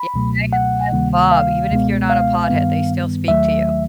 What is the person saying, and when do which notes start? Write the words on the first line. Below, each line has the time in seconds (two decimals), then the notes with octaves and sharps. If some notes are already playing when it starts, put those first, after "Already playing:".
Yeah, Jay and Silent Bob. Even if you're not a pothead, they still speak to you.
Already playing: B5
0.14 C#2 B2 F#3 A3
0.53 F#5
0.92 D2 C3 D#3 G3 A#3
1.32 F5
1.71 C#2 B2 G#3 B3
2.10 F5
2.50 G2 D#3 G3 B3
3.28 D#2 D#3 F#3 A3 E5